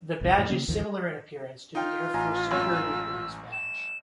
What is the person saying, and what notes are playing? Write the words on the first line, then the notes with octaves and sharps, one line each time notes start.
The badge is similar in appearance to the Air Force Security Police Badge.
G1 C2
F2 A2
C#3 A#3 C#4
A1 D#2 D#3 F3
D#4 F4 G5
A1 G#5 A#5
G#1 F#2 C#5 E6
E7